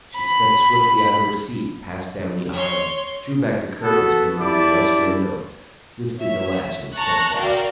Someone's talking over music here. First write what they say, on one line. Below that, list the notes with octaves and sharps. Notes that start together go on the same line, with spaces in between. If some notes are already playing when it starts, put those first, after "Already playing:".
She stepped swiftly out of her seat, passed down the aisle, drew back the curtains beneath the west window, lifted the latch and stepped out.
B5
C#5 C6
B3 F#4 A4
E4 G4 D5 A5 B5 D6
C#5 E5
A5 A#5 C#6 F#6
F#4 A#4 D5 F5 G5